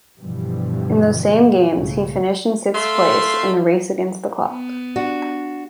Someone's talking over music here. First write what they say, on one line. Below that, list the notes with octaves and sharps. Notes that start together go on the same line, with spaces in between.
In those same games he finished in sixth place in the race against the clock.
G2 B2 D3 E3 F3 G3
B1 G#2 C#3 A3
A3 F5 C6
B3
D4 F#4